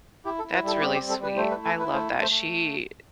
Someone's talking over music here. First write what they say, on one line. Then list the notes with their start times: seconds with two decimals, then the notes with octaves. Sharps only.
That's really sweet. I love that. She
0.25 E4 G4
0.39 A4
0.43 E4
0.53 B4
0.62 G3 A4
0.81 C4 G4
0.95 G4
1.00 G3
1.09 A4
1.18 G3 B4
1.37 A3 C5
1.51 B4
1.56 E4
1.65 A4
1.74 E4
1.79 B4
1.93 A3 C5
2.12 A3
2.21 C5
2.31 A3